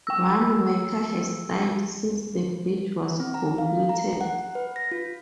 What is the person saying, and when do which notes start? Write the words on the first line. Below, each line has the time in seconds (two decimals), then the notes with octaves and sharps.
One worker has died since the bridge was completed.
0.07 G5 E6
3.20 C4
3.34 A#5
3.58 F5
3.89 A#5
4.21 F#5
4.55 B4
4.76 A#6
4.91 F4